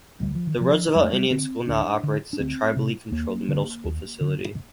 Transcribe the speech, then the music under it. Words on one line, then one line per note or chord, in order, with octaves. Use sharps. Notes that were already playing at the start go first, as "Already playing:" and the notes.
The Roosevelt Indian School now operates as a tribally controlled middle-school facility.
D2 G3
F3
D#3
C3 F3
F2 G3
A3
G3
D3 C4
D2 D4
D3
D4
D2 C4
C3
D#2 A#3
D3
D#2
D3